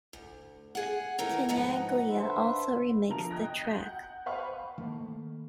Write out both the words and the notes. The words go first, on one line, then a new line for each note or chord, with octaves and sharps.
Tenaglia also remixed the track.
D2
G#4 F#5
D#3 E3 A3 A#4
G#2 F3 D#4 B4 F#5
D3 B4 C5 E5
D3 F3 A#4 A5 F7
D#5 G5 D#6 F#6 G#6 A#6
G6
F#5
B4 C5 F5 F#5 B5 C#6
D#3 A3 A#3